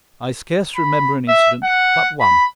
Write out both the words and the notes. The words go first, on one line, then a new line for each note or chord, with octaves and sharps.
I scarce remember an incident but one.
B5
E5
F#5
B5